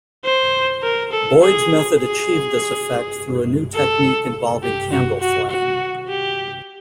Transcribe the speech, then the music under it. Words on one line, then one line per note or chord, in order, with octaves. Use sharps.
Boyd's method achieved this effect through a new technique involving candle flame.
C5
A#4
A4
G#4
G#4
A4
G4
F#4
F#4
F#4
G4